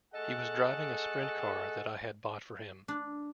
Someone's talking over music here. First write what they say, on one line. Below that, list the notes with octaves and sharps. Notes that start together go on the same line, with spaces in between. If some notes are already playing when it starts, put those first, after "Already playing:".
He was driving a sprint car that I had bought for him.
A3 G#4 A4 D#5 F#5
D4